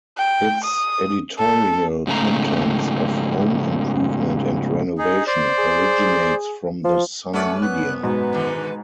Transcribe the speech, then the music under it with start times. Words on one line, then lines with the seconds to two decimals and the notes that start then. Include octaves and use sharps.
Its editorial contents of home improvement and renovation originates from the Sun Media.
0.17 G5
0.64 D#6
1.38 A4
2.07 G#2 C#3 A3 A#5
4.98 D#4 G#4
5.27 C5 D5
5.58 G#4
6.84 F3
7.33 A3 C#4 B4 D5 F#5
7.62 F#2 B3 F#6
8.03 G#2 B2 B4
8.33 D3 D#3